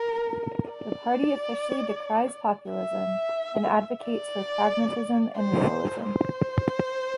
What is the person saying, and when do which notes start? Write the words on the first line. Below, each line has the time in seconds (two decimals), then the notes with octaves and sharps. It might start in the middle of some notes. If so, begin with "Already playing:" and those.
The party officially decries populism and advocates for pragmatism and realism.
Already playing: A#4
0.72 D5
2.71 E5
4.03 D5
5.36 C5
6.02 C5